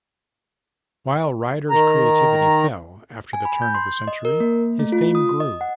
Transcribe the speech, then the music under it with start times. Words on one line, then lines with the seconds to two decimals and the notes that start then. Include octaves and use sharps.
While Ryder's creativity fell after the turn of the century, his fame grew.
1.70 D#3 A#5
3.33 G#5
3.45 B5
3.62 G6
3.75 C6
4.08 D#5
4.25 A#4
4.40 A#3
4.79 A3
4.92 F4
5.15 D#6
5.40 D#5
5.61 F#5